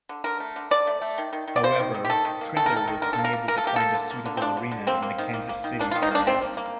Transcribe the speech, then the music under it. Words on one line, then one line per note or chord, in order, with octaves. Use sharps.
However, Trindle was unable to find a suitable arena in the Kansas City area.
D3
D3 A#4
A3
D3
D3 D5
A3
A3
D#3
D#3
D#3
D5
A#3 C5
D#3
D#3
G4
D#3 A4
D#3
A#3
D#3 A4
A#4
D#3 A4
D#3
D3 A#4
A4
A#3
A#4
A#3
A#3 A#4
A4
A#3 G4
A#3 A4
D3
A#3
D3
C4
F3 D4
D3
D3
A#3 C4
A#3
D#3
A#3
A#3
D#3
A#3 D4
F4
D#3
D#4
A#3 D4
D#3 C4
A#3
A#3